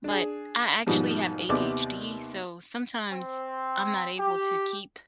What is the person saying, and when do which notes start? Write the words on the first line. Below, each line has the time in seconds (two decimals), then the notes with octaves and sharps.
but I actually have ADHD, so sometimes I'm not able to keep
0.04 D4 G#4
0.87 G#2 B2 D#3 F3 G3
1.49 D#2 C3 B3 D5 D6
3.11 C4
4.18 G4